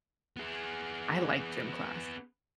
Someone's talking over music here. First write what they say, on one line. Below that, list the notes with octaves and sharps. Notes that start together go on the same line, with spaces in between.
I like gym class,
B3 G#4